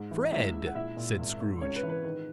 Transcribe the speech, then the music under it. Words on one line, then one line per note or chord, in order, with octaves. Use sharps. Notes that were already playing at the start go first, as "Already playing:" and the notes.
"Fred!" said Scrooge.
Already playing: G#2
E3
C#2 E4 E5
C#2
F#5
A#1 E4 E5
A#2
G#1
G#1
C#2 C#4 C#5
B4
E3
B4
D#3 B4